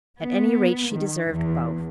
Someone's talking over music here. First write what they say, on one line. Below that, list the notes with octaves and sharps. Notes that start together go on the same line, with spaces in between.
At any rate she deserved both.
B3
D#3
E2